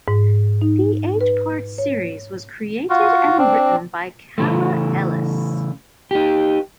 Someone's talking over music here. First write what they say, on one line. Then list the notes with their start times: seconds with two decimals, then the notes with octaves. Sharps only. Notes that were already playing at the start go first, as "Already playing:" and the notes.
The eight part series was created and written by Kala Ellis.
0.08 G#2
0.62 D#4
1.21 B4
1.78 C#5
2.90 F4 F#4
3.38 C4 D4
4.38 C#3 E3 A3
6.11 D#4 G4